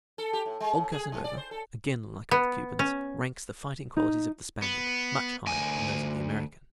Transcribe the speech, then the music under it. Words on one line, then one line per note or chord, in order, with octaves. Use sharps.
Old Casanova, again like other Cubans, ranks the fighting qualities of the Spaniard much higher than those of the American.
A4
G4
A2
G#3
A2
G#4
G#2
D5
C5
A4
B3
C#4
D#4
B3
D2 G#5